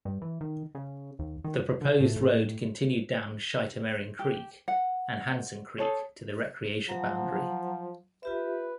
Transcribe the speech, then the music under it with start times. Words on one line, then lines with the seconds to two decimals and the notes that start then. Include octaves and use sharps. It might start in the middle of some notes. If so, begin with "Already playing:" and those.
The proposed road continued down Shitamaring Creek and Hansen Creek to the recreation boundary.
0.05 G2
0.22 E3
0.41 D#3
0.75 C#3
1.19 D#2
1.44 D#3
1.58 F#2
1.81 D3
2.00 A2
2.16 A2
4.19 G4
4.68 F#5
5.78 G#4 A4 C5 C#5
6.89 F3 F#3 F#5 A#5
8.23 F4 G4 B4 E5